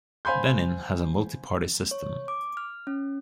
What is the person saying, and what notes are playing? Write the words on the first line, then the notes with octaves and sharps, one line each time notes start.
Benin has a multi-party system.
C5 F5 G#5 B5 C6 G6
C#5
D6
F6
C#4